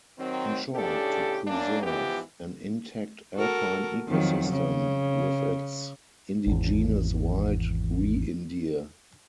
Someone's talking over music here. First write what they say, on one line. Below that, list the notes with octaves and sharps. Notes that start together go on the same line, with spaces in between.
In short: To preserve an intact alpine ecosystem with its indigenous wild reindeer.
D#3 F#3 C4
A2 C#3 D4 G4 A4
F#2 A#3 C#4 D4
G#2 E3 F3 B3 G4
F#4 A4 A#4
F2 D#3 F#3
C#3
G#1 E2